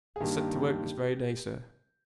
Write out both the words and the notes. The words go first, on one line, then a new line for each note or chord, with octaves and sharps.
"We'll set to work this very day, sir."
G#4
G2 D#3 A#3 G4